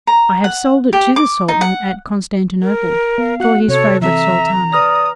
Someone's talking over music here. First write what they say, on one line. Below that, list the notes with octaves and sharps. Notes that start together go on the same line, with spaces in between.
"I have sold it to the Sultan at Constantinople, for his favorite Sultana."
A#5
F#5
G4
D6
D#4
F#5
A#4
B3 F5
F#4 F#5 F#6
C3 A4 C#5
E3 C4 A4 E5 A#5
B4 D5 D#6 F6 A#6